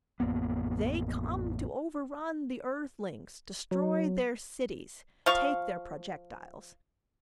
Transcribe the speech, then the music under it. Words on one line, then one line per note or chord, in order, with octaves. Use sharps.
They come to overrun the Earthlings, destroy their cities, take their projectiles.
A1 F2 A#3 B3
F#3
F3 F5 C#6